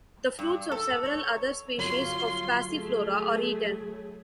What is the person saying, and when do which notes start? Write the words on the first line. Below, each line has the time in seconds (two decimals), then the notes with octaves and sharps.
The fruits of several other species of Passiflora are eaten.
0.39 G2
0.72 A4
1.06 C#5
1.78 G1 F#3 F4 C#5 C6
2.71 A3 G#4